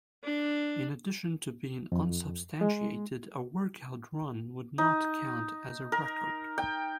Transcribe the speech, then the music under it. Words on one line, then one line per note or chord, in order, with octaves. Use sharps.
In addition to being unsubstantiated, a workout run would not count as a record.
D4
F2
G#3
D#4
A#4
G5